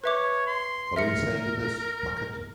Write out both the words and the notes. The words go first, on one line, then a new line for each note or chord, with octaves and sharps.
What do you say to this, Bucket?
B4 C#5 E5 D6
C6
A#4 E5 F6 C#7